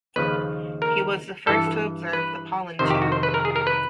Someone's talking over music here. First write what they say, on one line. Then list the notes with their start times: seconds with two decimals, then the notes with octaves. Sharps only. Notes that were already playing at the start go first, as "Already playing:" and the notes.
He was the first to observe the pollen tube.
0.16 D#2 C#3 F3 B4
0.82 A#4
1.47 G2 E3 A4
2.13 B4
2.79 F2 C3 D#3 C5
2.90 G4
3.02 F#4
3.12 C5
3.23 B4
3.34 A#4
3.45 G#4
3.56 A#4
3.67 B4